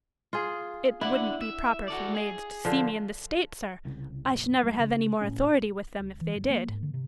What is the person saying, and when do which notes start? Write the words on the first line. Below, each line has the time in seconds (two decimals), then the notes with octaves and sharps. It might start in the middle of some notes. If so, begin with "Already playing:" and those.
It wouldn't be proper for the maids to see me in this state, sir; I should never have any more authority with them if they did.'
0.33 F4 G#4
1.01 D4 E4 F#5
1.41 E5
1.88 F#4 A4 D5
2.15 G#4
2.65 D3 F3
3.85 C2 C#3
4.28 F1 A#1
4.63 E1 C#2 G3 A3
4.79 C#3
5.21 A2 C#4
5.99 C#2
6.21 E3
6.35 G1
6.50 A#3
6.68 G#2
6.83 D3
6.94 C3